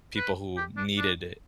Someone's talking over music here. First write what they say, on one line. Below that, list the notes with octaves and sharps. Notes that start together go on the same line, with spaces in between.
people who needed it
B4
G4
D4
D4